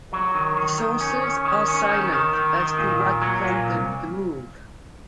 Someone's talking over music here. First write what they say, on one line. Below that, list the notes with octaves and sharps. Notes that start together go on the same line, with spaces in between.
Sources are silent as to what prompted the move.
F#3
D#3
D#3
D#3
C#4
C#4
D#3
C#4
D#3
D#3
D#3
D#3
A#2
A#2
F#3
A#2
C2